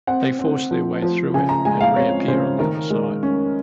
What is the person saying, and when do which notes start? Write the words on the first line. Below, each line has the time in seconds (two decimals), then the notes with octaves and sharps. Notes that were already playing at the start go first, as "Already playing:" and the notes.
They force their way through it and reappear on the other side.
0.07 C4 F#5
0.39 C4
0.71 F3
1.02 F3
1.34 C#3 G#5
1.49 A#5
1.65 G#3 G#5
1.81 F5
1.96 C4 C#5
2.28 C#3 C5
2.59 D#3 A#4
2.90 G#3
3.23 C#4